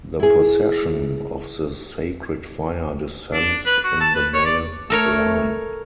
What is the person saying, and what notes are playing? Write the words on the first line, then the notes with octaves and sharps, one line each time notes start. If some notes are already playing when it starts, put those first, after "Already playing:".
The possession of the sacred fire descends in the male line.
E4 G#4
D4
B4
F#4
A5
B4
C#5
D5
A3 A4 A#4 C#5